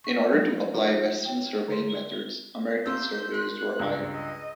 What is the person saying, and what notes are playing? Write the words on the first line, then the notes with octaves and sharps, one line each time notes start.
In order to apply Western surveying methods, American surveyors were hired.
C#6
F3 F#3 G#3 A#3 C#4 D#4
A3 D#4 F4 F#4 A#5
C#5 G5
D3 G#4 A#4 C#5 C6
A#3 C6 E6 G6
C6 F#6
C#2 G2
D#5